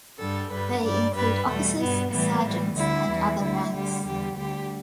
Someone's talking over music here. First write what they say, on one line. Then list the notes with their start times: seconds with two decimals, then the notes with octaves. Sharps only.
They include officers, sergeants and other ranks.
0.18 G2 D3 G3 A4
0.51 G2 D3 G3 B4
0.83 G2 G3 D5
1.15 G2 G3 B4
1.47 E2 B2 G3 A3
1.79 G2 G3 B3
2.11 A2 E3 G3 B3
2.43 A2 E3 G3
2.76 D2 D3 G3 E4
3.08 E2 E3 G3
3.41 D2 D3 G3 E4
3.72 D2 D3 G3 G4
4.05 E2 D3 G3 G4
4.36 D2 D3 G3 G4